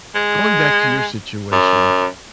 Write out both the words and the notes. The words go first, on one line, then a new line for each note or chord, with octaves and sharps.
going back to your situation,
G#3
F#2